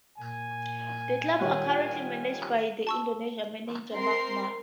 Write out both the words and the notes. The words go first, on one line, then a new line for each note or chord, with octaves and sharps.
The club are currently managed by the Indonesia manager Makmur.
A#2 G#5
D#3 G3 F4 C#5 F#5
A5 C#6 E6
C4 A#4 C6 C7